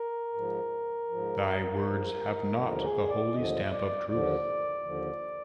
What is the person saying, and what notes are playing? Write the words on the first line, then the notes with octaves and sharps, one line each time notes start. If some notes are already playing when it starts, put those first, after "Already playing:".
Thy words have not the holy stamp of truth.
Already playing: A#4
G#2 F3
G#2 F3
G#2 F3
D#2 D3 F3 A#4
G#4
D5
D#2 D3 F3 D#5
D#5
D5
D#2 D3 F3 D5
D#2 D3 F3